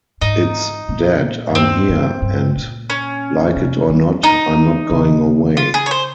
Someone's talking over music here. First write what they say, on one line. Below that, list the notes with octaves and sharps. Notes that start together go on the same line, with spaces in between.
It's 'Dad, I'm here, and like it or not, I'm not going away.
G#2 D#4
A#2
G#2
G2 C4
G2
G2
A#2
C#4
C3
G3
D#3 D#4
C#3
F4
G#4
C#5
C5